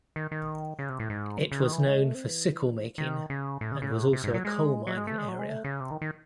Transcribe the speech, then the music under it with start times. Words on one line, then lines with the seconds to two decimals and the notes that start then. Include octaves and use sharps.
It was known for sickle making and was also a coal mining area.
0.16 D#3
0.31 D#3
0.79 C#3
0.89 C3
1.00 A2
1.10 G#2
1.52 C#3
1.62 D#3
1.72 E3
1.88 G#3
2.04 A3
2.14 C4
2.25 E3
2.98 D#3
3.30 C#3
3.61 A2
3.72 C#3
3.82 C#3
3.92 A2
4.03 C3
4.13 C3
4.24 G#2
4.34 F#3
4.45 G#3
4.87 F#3
4.97 G#3
5.07 A3
5.18 G#3
5.28 F#3
5.39 G#3
5.49 A3
5.64 C#3
5.80 C3
5.91 D#3
6.02 D#3